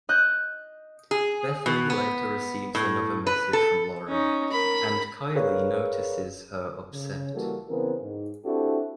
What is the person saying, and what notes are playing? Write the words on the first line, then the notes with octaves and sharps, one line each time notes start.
Bethany later receives another message from Lauren and Kylie notices her upset.
D#5 F#6 G6
G#4
B2
B3
A2
B4
A4
C#4 D#4
A#4 B5
G#4 A#4 B4 C#5 D5 F5
C#3
E3 G3 A#3 F#4 A4
C#3 E3 B3 C4 G#4 A#4
G#2
C4 D4 E4 F#4 G4 A4